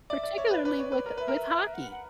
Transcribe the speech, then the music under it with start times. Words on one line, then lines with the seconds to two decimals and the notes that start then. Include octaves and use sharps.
Particularly with with hockey.
0.10 D5 E5
0.23 D5
0.38 C#5
0.51 B4
0.65 B4 D5
0.79 C#5
0.92 B4 D5
1.06 A#4
1.16 B4 D5 E5
1.28 A#4
1.65 E5
1.74 F#5
1.91 F#5